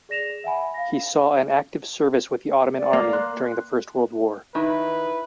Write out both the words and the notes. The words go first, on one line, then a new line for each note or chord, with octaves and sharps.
He saw an active service with the Ottoman army during First World War.
G#4 D5 A#6 E7 F7
E5 F#5 G#5 B5
F5 A#6
D5
A#3 G5 D6
C6 F#6
D#3 E4 B4